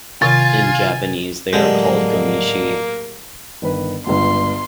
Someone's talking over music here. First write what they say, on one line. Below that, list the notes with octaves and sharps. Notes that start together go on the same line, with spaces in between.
In Japanese, they are called "gomishi".
C3 D#3 F4 G#5 A6
A2 D3 F#3 G#3 A#3 G4 G#4
G1 D#3 B4
G1 C#2 C6